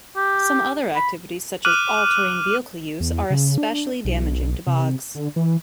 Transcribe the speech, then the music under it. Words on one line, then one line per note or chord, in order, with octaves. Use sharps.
Some other activities, such as all-terrain vehicle use, are especially damaging to bogs.
G4
B5
D6 F6 F#6 D#7 F#7
E2
C#3
D4
B1
C3
D3
E3